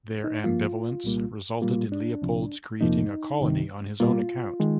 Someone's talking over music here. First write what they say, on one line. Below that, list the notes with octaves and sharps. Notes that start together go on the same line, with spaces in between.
Their ambivalence resulted in Leopold's creating a colony on his own account.
D#4
G2 F3 A#3 F4
C2 A#2 G3 A#3
A#2 G3 A#3 F4
D4
C2 C3 F3
F2 C3 F3 A#3 D#4
C2 C3 D#3
A#2 G3 A#3 F4
D#3 G#3